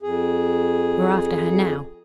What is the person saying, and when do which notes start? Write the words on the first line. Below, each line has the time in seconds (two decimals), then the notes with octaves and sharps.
We're after her now.
0.02 F2 G#4